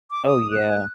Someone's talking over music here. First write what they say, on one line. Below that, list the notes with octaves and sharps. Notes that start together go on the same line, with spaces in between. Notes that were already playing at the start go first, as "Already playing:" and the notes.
Oh, yeah.
D6
D#6
F#6